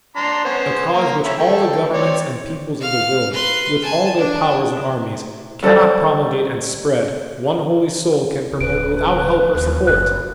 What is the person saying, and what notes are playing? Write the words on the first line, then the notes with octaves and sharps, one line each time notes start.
A Cause which all the governments and peoples of the world, with all their powers and armies, cannot promulgate and spread, one Holy Soul can promote without help or support!
D4 A#5 C6
B3 C#4 C5
A#3 A#4
C#4 E5 B5
A3 G5
C4 C#5 D5
F5 F6
B4 C6
G#5 A5
D4
G3 A4 C5 D5
D1 B4 D7
D#2
F#1 F#6